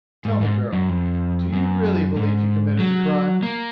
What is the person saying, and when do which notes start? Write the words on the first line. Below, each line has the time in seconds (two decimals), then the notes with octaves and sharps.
"Tell me, Beryl, do you really believe he committed the crime?"
0.25 G#2
0.41 G#2
0.73 F#2
0.89 F2
1.53 F#2
2.16 G#2
2.79 F#3
3.43 A#3